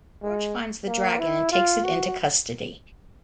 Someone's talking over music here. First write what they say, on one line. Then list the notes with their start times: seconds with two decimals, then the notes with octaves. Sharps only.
George finds the dragon and takes it into custody.
0.23 G#3
0.86 A#3
1.19 E4
1.52 F4
1.84 F#4